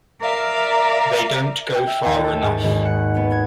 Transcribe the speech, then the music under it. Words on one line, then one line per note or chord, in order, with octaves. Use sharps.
They don’t go far enough.
A#4 D5 E5 F5
G5
E5
D#2
A4
G#2
G#1
F#5
B3
G#6